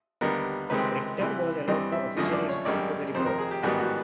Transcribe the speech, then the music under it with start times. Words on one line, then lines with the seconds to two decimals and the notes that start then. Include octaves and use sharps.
Richter was allowed to officially respond to the report.
0.21 D#2 D3 G3 B3 A#4
0.70 C#2 C3 D#3 G#3 C4 B4
1.19 C2 C3 E3
1.67 G2 E3 G3 C4 D#5
1.92 E5
2.17 G#1 F#2 D3 F3 A3 D#5
2.33 D5
2.49 C#5
2.65 G#1 F#2 D#3 G3 D5
3.15 F2 C3 D#3 C5
3.26 A#4
3.38 G#4
3.51 G4
3.63 A1 G#2 D#3 G3 B3 F#4
3.79 F#4